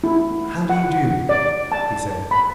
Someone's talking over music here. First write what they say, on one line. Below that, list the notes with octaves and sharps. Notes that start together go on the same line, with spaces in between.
"How do you do?" he said.
E4
F#5
D5
A5
B5